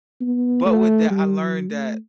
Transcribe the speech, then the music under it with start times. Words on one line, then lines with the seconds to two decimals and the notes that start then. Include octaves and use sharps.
But with that, I learned that
0.21 B3
0.65 A3
1.10 G3
1.40 F#3
1.69 A3